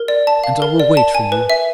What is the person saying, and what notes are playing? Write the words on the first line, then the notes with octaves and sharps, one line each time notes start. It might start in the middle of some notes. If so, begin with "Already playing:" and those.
And I will wait for you.
Already playing: A#4
D5
A5
F5
A#4
D5
A5
G#5
B4
E5